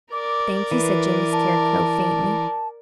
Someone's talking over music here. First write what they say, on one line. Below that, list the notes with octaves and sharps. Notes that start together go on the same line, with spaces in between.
"Thank you," said Jimmy Scarecrow faintly.
A#4 D5 D6
E3 B4
A5